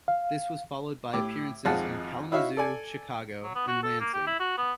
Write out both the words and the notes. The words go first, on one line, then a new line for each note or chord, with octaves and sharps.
This was followed by appearances in Kalamazoo, Chicago, and Lansing.
F5
A2 G4 D6
G#1 F2 G#4 F5 F#5 A5
D#4 E4 F#4 C#5 E5 F5
A4 D5 G#5
F#3
B3
F#4
A4
A#3
G4
E4
F#4
B3